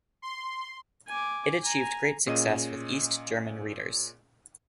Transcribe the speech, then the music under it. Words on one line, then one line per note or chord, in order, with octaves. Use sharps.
It achieved great success with East German readers.
C6
G#5 D6
G#5 A#5
A#2 C#4 G#4 D#5 D#7